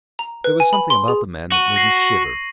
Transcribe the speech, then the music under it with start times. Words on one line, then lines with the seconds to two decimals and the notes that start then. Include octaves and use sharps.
There was something about the man that made me shiver.
0.19 A#5
0.44 B4
0.60 G#5
0.73 B5
0.90 C6
1.08 G#4
1.52 F#4 C#6 D#7
1.76 A#6 C7 F#7